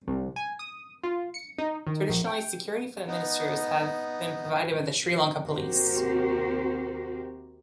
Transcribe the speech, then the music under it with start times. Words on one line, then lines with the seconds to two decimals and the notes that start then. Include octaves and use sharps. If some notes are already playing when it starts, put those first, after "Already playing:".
Traditionally security for the ministers have been provided by the Sri Lanka Police.
0.07 C2
0.36 G#5
0.59 D#6
1.03 F4
1.34 C#7
1.58 D#4
1.87 D#3
2.09 A#1
2.27 G5
3.07 B3 D#4
5.46 D#2 C3 F#4 G4 A#4 C5